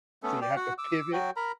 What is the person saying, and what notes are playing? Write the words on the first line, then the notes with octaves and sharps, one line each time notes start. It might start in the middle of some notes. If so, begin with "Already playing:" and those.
So you have to pivot?
A3 B3 C#4 A4
D5 G5
F#4 F#5
D6 E6
F#3 F#4 G5
A#4 A#5 B5